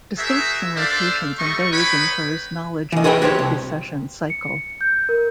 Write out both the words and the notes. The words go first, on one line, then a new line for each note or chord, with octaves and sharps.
Distinguishing rotations and days infers knowledge of the precession cycle.
F#4 G#4 A#4 C5 E5
D4 A4 C5 D5 E5 F5
G3 A3 D#5 C#6
D#4 B4 C#5 G5 B5
E3 D#5
F#4 G#4 B4 E5 F#5 G5
F#4 G4 C5 C#5
C2
C#7
G6
A#4